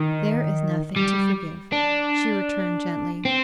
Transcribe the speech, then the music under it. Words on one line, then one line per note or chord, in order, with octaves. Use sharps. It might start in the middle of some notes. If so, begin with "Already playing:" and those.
"There is nothing to forgive," she returned gently.
Already playing: D#3
G3
D4
C4